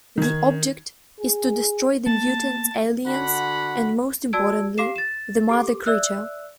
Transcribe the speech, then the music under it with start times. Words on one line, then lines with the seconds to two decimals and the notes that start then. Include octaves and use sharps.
The object is to destroy the mutants aliens and, most importantly, the Mother Creature.
0.18 D#3 G#6
1.19 G#4
2.07 A#3 B3 A5
3.06 D3 F#4 F#5 B5
4.33 F#4 D5 A5 E6 G#6 D7
4.78 G4 F5 D6 C7 E7
4.96 A6 E7
5.49 G4 A4 D6
5.86 D5 E5 E6 F#6